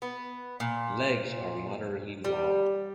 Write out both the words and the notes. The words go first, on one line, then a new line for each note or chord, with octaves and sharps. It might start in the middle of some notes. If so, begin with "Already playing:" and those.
Legs are moderately long.
B3
A#2
G3